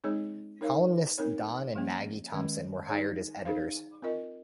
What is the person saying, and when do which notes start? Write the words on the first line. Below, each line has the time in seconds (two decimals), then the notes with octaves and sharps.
Columnists Don and Maggie Thompson were hired as editors.
0.04 G#3 C4 D#4 G#4 C#5
0.61 D#4 A#4 C#5 F5
1.18 C4 D#4 A#4 C#5
1.75 F3 A#3 C#4
2.32 D#3 G#3 C#4
2.88 D#4 G#4 C#5
3.45 D#4 G#4 C5 F5
4.02 C4 F4 A#4 D#5